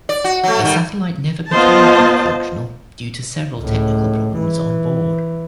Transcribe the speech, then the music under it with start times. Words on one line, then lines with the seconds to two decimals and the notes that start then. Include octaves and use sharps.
The satellite never became fully functional due to several technical problems on board.
0.09 D5
0.24 F#4
0.44 F#3 A3
0.62 D#3 G3
1.52 B3 F4 C5 D#5 A5
3.61 C#2 A2
4.39 E3